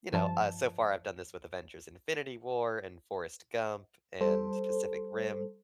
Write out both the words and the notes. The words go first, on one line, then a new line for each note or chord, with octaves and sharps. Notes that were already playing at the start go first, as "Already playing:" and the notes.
you know, uh, so far I've done this with Avengers Infinity War and Forrest Gump, and Pacific Rim,
G2 F3 A5
G3 A4 C5